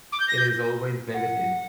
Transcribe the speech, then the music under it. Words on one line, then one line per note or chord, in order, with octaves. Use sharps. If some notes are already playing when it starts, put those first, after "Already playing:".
It is always negative.
D6
G6
A#6
G6
F#5